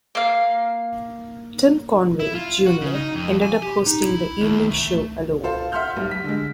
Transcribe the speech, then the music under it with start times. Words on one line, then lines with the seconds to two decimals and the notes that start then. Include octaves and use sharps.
Tim Conway, Junior ended up hosting the evening show alone.
0.15 A#3 F5
2.19 E4
2.35 F4
2.66 F#4
2.81 C#3
2.94 D#4
3.15 F2
3.42 G#5
3.62 G4
3.86 D#4
4.05 E4
4.41 D#2
4.71 A3
5.43 F4 A4 C5 F5
5.72 E5 F#5 C6 F6 G6
5.97 B1 G3
6.11 B6
6.24 D3 G#3